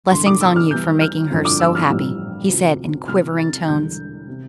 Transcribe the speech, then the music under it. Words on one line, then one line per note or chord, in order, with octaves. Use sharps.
"Blessings on you for making her so happy," he said in quivering tones.
A1 G2 D3 C6
D6
E6
F6
E2 E3 G3 G6
F6
G1 F2 D3 F3
D6
E6
F6
A#1 A2 E3 G3
D2 C3 F3
C2 C3 F3 F6
A6
E1 E2 D3 G3 G6
C3